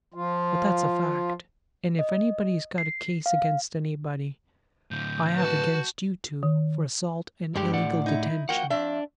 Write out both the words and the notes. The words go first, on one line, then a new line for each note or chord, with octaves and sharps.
But that's a fact--and if anybody's got a case against anybody, I have against you two for assault and illegal detention.
F3 F4
D#5
C7
F5
A2 D3 G6
F#4 B4 A5
D#3
G2 D3 G3 G#3 G4
A2 D5 F#5
D#4 E4
F3 A#3 F#4 F#5 G5
F2 D4 E5